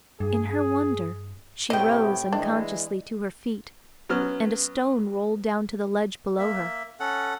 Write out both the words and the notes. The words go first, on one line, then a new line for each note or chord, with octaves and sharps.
In her wonder, she rose unconsciously to her feet and a stone rolled down to the ledge below her.
G2 G#4
A2 C3 B3 E4 D#5 G5
E3 G#3 D4
F#3 B3 C#4 F6
A#3 E5
C#4 A4 F#5